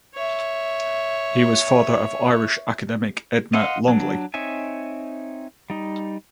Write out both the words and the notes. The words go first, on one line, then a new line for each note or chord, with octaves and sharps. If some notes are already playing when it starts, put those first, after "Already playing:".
He was father of Irish academic Edna Longley.
C#5 E5
D#5 F5 F#5 C6
F#3 D4
C4 D#4 C#5 E5 G#5
G3 D#4